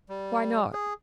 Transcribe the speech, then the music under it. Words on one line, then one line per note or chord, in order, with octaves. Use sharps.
"Why not?"
G3
G#4